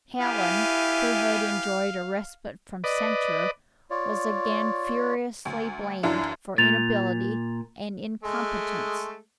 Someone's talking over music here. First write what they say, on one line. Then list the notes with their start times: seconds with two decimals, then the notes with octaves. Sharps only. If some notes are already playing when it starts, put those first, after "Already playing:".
Hallen, who had enjoyed a respite from censure, was again furiously blamed for inability and incompetence.
0.21 B3 E4 G4 F5 G#5
2.84 B4 D5 D#5
3.90 F4 C#5 D5
5.45 D2
6.03 F#2 E3 D4 E4 F4
6.58 A#2 A6 F7
8.23 G#3 A3